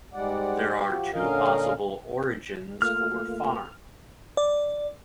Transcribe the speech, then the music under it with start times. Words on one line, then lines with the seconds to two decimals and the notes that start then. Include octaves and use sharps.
There are two possible origins for "farm".
0.13 G#2 G3 G#3 D5 F#5
0.84 F3 F#4 G4
1.13 A#2 D3 C#4 A#4 D#5 F5
2.82 A3 A#3 F4 F6
4.37 D5